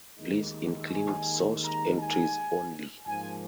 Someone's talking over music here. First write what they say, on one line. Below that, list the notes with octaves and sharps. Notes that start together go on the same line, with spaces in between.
Please include sourced entries only.
D#2 D#3 G#3 D#4
G#5
A#5
G#5
G#2 F3 A#3 G#5